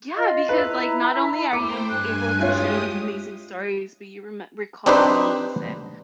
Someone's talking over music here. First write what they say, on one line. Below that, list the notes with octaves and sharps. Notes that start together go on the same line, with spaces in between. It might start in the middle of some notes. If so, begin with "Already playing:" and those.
Yeah, because, like, not only are you ab able to share these amazing stories, but you reme recall the names and
F4 D#5 F5
E4 B4 A#5
A3 C5 G5 D6
G2 G#5 F#6
G#3 E4 F4 G4 C#5 D#6
C4 D4 D#4 G4 B4 C5